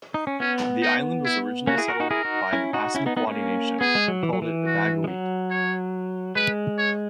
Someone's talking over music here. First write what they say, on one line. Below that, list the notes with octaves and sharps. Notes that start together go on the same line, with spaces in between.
The island was originally settled by the Passamaquoddy Nation, who called it Ebaghuit.
D#4
C#4
B3 C#4
D#4
E4
A#3 C#4 F#4
E4 G#4
F#4 A#4
D#4 F#4
E4 G#4 A#4
D#4 F#4
C#4 E4
D#4 F#4
C#4 E4
B3 D#4
B3 D#4
A#3 C#4
B3 G#4
G#3
F#3
E3
F#3
E3
F#4
G#3
F#3
C#5
G#3 B4
C#5